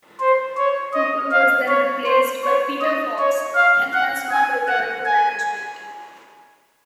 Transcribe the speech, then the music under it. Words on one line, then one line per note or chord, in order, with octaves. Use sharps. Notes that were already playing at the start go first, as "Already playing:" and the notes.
Cooper was then replaced by Peter Fox and has not returned to management.
C5
C#5
D#5
F5
C#5
C5
C#5
D#5
C#5
F5
F#5
G#5
F#5
G#5